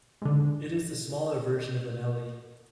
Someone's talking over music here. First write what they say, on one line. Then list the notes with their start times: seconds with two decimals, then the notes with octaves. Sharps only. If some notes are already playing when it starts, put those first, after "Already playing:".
It is the smaller version of Anelli.
0.22 G#2 D3